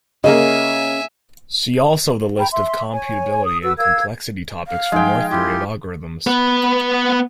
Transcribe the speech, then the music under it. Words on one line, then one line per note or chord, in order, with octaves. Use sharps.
See also the list of computability and complexity topics for more theory of algorithms.
C#3 A#3 C#4 G#4 D#5 E5 G#5
G5 A#5 B5
E5 C6
C#5 G#5
D#6
F#4 B4 E6
A#4 F5 E6 G#6
F5
F3 G#3 D#4 F#5 G5
E4 F4 G4
B3 B4